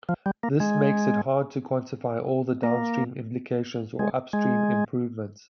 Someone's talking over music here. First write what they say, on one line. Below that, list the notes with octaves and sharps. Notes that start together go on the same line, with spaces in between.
This makes it hard to quantify all the downstream implications or upstream improvements.
F3
G3
A#3
G#3
A#3
G#3
G#3